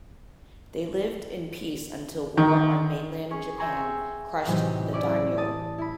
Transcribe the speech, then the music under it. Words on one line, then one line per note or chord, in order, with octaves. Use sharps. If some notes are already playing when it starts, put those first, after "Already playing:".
They lived in peace until war on mainland Japan crushed the Daimyo.
D#3
C#4 G#4 C#6
E5 G5 G#5 A#5 C6 C#6
A2 C3 E3 F#3 D#4 G4
C#4 E4 D5
A5 D#6 A6
E4 B5